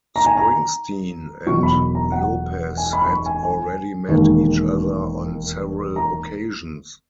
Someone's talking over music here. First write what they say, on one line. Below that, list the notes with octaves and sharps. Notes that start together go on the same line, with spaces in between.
Springsteen and Lopez had already met each other on several occasions.
A#5
G#5
A#5
E1 E2 B2 F#3 C#6
B5
A#5
F#5
G#5
B5
B5
C#6
G#5
G#5
E1 D#2 D#3 G#3
A#5